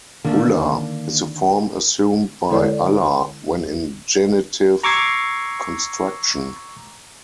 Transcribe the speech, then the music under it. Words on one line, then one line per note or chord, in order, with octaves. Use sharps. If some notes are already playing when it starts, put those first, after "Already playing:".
Ullah is the form assumed by "Allah" when in a genitive construction.
D3 D#3 A#3 D4
D3 G#3 E4 A4 C#5 D5
A#5 C#6 D6 E6 G#6 C7